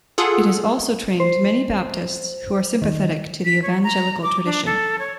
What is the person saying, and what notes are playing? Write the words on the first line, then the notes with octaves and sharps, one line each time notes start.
It has also trained many Baptists who are sympathetic to the evangelical tradition.
F4 G#4 A4 F#5
C5
D#3
B6
C#5
A#5
D6
D4
A4
C#5